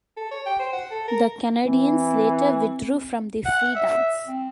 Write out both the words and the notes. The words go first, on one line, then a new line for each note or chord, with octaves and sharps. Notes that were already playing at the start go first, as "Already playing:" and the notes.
The Canadians later withdrew from the free dance.
A4
C#5
G5
C5
F#5
A4
A#4
E3 C4
F#5
E5
C4